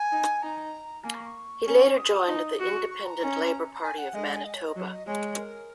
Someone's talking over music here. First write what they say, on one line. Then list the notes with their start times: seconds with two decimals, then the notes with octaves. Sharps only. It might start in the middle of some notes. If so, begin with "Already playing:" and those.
He later joined the Independent Labour Party of Manitoba.
Already playing: G#5
0.12 D#4
0.42 D#4 A#5
1.04 A#3 G#5
1.14 C#6
1.25 C#6
1.66 C#4
1.90 C#6
1.97 D#6
2.28 D#4
2.59 F#4 C#6
2.90 C#6
3.06 A#5
3.21 C#4
3.83 G#5
3.98 F#5
4.14 G#3 D#5
4.24 F#5
4.34 G#5
4.45 D#5
4.55 C#5
4.66 D#5
4.76 F#3
4.91 D#5
5.06 G#3 C#5
5.38 A#4